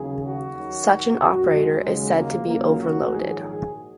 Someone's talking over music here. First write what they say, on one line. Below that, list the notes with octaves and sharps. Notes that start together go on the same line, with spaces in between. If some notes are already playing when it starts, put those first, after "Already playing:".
Such an operator is said to be "overloaded".
Already playing: D#2 C#3 F#3 G#4
F#4
D#2 D#3 F#3
F#2 F#3 F#4
G#3
D#2 C#3 F#3 G#3
A#3
C#2 C#3 F#3 A#3
F#4
A#1 G#2 D#3 F#3 G#4
G#4